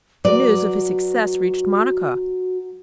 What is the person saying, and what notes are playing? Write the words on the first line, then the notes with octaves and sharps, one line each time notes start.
The news of his success reached Monica.
F#3 F#4 B4 D5